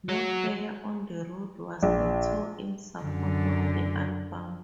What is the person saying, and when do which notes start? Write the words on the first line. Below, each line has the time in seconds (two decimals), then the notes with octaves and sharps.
No Prayer on the Road was the tour in support of the album.
0.09 F#3
1.83 A#1
3.03 F#2 D3